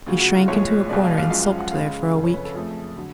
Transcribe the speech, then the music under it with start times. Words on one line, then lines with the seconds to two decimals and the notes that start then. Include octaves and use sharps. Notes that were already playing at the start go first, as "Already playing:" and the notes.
He shrank into a corner and sulked there for a week.
0.06 D2 C#3 F#3 F4
0.20 F#4
0.34 F4
0.48 B1 A2 F3 G#3 C#5
0.89 B1 B2 G#3 D5
1.04 F5
1.17 F5
1.30 F#2 F3 G#3 F5
1.45 F5
1.59 F#5
1.72 C#2 C#3 G#3 F5
2.13 F#1 F2 C#3 A4
2.24 C#5
2.34 B4
2.44 A4
2.55 F1 F2 F3 A3 G#4
2.96 D3 F#3